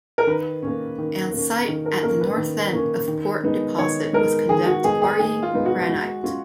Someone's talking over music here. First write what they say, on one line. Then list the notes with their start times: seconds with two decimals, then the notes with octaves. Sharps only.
An site at the north end of Port Deposit was condemned to quarrying granite.
0.18 A#4
0.27 D#3 B4
0.62 A#3 C#4
0.98 D#3
1.32 A#3
1.37 C#4
1.68 D#3 A#4
1.86 A#4
2.03 A#3 C#4 A#4
2.21 B4
2.38 D#3
2.73 A#3 C#4
3.08 D#3
3.43 G#3 B3 D#4
3.78 D#3 C#5
4.13 G#3 B3 D#4 A#4
4.49 D#3 G#4
4.66 F#4
4.84 G#3 B3 D#4 G#4
5.02 G#4
5.19 D#3 G#4
5.43 F4
5.53 G#3 B3 D#4
5.66 F#4
5.89 G#3
6.24 C#4 F4